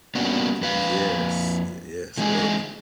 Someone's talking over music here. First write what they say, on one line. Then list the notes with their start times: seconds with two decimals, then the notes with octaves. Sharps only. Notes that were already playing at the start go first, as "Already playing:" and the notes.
Yes, y yes, a a uh,
0.15 G3 A#3 B3 C#4 D4 F#4
0.61 F2 B4 F5
2.17 D3 E3 G#3 C4 D#4 G#4